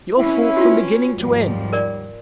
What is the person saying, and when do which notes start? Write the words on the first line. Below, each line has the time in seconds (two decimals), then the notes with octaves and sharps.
'Your fault from beginning to end.'
0.17 C4 C#4 E4 B4
0.57 F4 F#4
1.16 D#2 G#2 F3 G3
1.73 A#4 D5